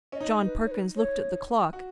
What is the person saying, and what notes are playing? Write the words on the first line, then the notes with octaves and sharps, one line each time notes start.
John Perkins looked at the clock.
C#4 D#5
D#4 C#5
B4
C#5
B4
C#5
F#4